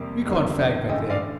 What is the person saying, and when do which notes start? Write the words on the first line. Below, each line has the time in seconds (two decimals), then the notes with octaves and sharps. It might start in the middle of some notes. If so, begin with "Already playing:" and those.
We can't fag back there.'
Already playing: F2 C3 G3 A#3
0.28 G1 F2 D3 G3 A#3
0.89 A1 G2 D3 A3 D#5 G5
1.10 D5 F5